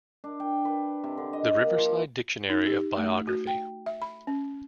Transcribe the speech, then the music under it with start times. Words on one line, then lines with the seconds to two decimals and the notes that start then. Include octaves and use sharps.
The Riverside Dictionary of Biography.
0.24 D4
0.40 G5
0.65 B4
1.04 C3
1.17 D3
1.33 D#5
1.58 A#3
1.78 F3
2.50 D#4
2.66 G4
2.97 A3
3.27 F#4
3.47 G5
3.86 E5
4.02 B5
4.27 C#4